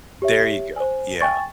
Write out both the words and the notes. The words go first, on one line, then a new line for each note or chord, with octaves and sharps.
There you go, yeah.
G4 C#5 E5
C5 G#5
G5 G#5 C#6 A6